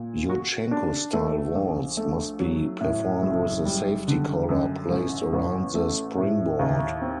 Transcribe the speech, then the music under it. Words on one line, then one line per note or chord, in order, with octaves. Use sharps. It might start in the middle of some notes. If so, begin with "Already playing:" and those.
Yurchenko-style vaults must be performed with a safety collar placed around the springboard.
Already playing: A#2
F#4
D4
A3
A#1
A3
F#3
A2
F#1
G3
D3
F#2
A1
A1
A3
A2
D#2
C4